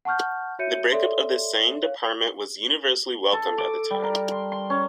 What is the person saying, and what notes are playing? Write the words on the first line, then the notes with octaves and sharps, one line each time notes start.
The breakup of the Seine department was universally welcomed at the time.
F#5 A5 C#6 F6 G6
F#4 C#5 E5 G6 C#7 D#7
A4 C#5 D5 E5 C6
C#5 F5
A4
D6
G3
A#4
C6
C6
C#4